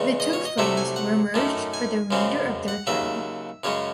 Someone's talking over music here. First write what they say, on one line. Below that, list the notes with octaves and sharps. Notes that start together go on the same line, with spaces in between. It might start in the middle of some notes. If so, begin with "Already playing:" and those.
The two flames were merged for the remainder of their journey.
Already playing: E2 C#3 G#3 C#4
D#5
C#5
D#5
C2 C3 F#3 A3 E5
G#5
F#5
F#2 D#3 A3
G#5
F#2 C#3 G#3 C4
F#5
D#2 C#3 F#3 E5
F#2 C#3 G#3 C#5